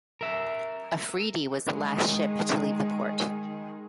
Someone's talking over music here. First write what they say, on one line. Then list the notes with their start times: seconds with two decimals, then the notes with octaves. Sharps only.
"Afridi" was the last ship to leave the port.
0.21 A#4 E5
1.70 D#3 G#3 G#4